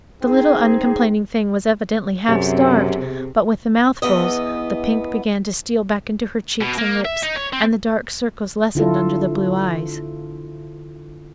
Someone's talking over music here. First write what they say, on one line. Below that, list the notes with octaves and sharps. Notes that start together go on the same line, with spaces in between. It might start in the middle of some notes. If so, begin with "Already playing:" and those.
The little uncomplaining thing was evidently half starved, but with the mouthfuls the pink began to steal back into her cheeks and lips, and the dark circles lessened under the blue eyes.
C4 D#4 G#4
F#2 C3 G4 G#4
E2 E3 B3 D#5
B2
A#3
E5
D#4
C#5
C4
D3 E4 F4 A4